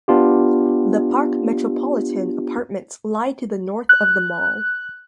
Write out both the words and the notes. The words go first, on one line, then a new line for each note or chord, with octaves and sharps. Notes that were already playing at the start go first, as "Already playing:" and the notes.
The Parc Metropolitan apartments lie to the north of the mall.
B3 D4 F4 G4
F#6